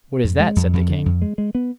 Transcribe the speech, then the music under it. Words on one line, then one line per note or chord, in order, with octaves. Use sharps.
"What is that?" said the king.
F2
G#3
F2
F2
D3
F2
G#3
G#3
B3